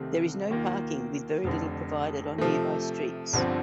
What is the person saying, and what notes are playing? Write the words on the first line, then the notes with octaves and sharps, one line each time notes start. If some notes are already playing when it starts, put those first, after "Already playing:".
There is no parking with very little provided on nearby streets.
Already playing: C2 C3 D#3 A3 C4
D#2 D#3 A#3 F4
F1 F2 D3
C3 F3 A3
G1 G2 D3 F3 C4